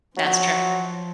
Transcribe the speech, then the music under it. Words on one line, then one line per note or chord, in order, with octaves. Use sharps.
That's true.
F3 F#3